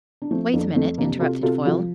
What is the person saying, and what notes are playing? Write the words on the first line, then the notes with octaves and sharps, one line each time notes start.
"Wait a minute," interrupted Foyle.
D4
F3 A3 C4
F2 A#3 D4
F2 A3 C4
C3 A#3 D4
C3 F4 A4
C3 F4 A4
F3 F4 A4